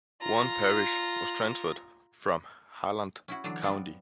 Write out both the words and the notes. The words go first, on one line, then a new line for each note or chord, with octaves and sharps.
One parish was transferred from Halland County.
F4 A#5
C#4 E4 F#4
D3 E3 F#3 D4
F#3 B3 C4 D4 F4